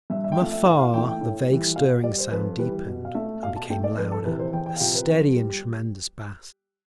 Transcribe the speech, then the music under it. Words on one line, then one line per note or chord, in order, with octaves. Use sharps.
From afar the vague stirring sound deepened and became louder, a steady and tremendous bass.
G2 E5
E5
G5
F3 A3 F5
E5
A2 F5
F5
E3 A3 G5
G5
A2
E3 G3
B2 F5
G3 D5
C5
F2 B4
E3 G3 B4
B2
F5
A3 E5
B2 F5
A5
A3 G5
D5
F2 B4
A4
C3 E3 B4
C5
E2 G5
G5
F5
C3 F3 G5
B4
F2
G3